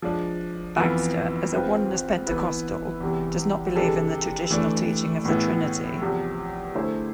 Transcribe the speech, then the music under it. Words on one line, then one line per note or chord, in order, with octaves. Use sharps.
Baxter, as a Oneness Pentecostal, does not believe in the traditional teaching of theTrinity.
F3 G#3 D4
F2 E3 B3 F4
G#2 G#3 C4 F4 B4
E3 B3 E4 B4
E2 C3 E3
C3 E3 G#3 D4 A4
E3 A3 D4
A2 E3 G#3 B3 E4
E2 C3 F3
D3 A3 E4 G#4 C5